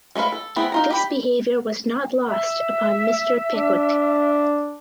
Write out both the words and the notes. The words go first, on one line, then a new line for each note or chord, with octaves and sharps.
This behaviour was not lost upon Mister Pickwick.
G#3 A3 A4 B4 F5
A4
A3 B3 C4 E4 G#4
D#4 F4 A#5
G4 B5
E5
D4